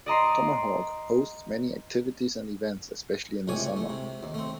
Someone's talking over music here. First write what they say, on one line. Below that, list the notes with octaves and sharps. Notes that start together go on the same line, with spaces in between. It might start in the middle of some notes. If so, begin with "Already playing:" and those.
Tomahawk hosts many activities and events, especially in the summer.
D5 D#5 A#5 C6
C#2 A2 C3 C#5 G#5 D6
A3
C3
D#2
A3 C4